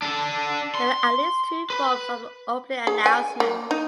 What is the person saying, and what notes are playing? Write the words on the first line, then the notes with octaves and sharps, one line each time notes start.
There were at least two forms of the opening announcement.
D4 A4
C6
B4
G#4
G#5
A#3
D#4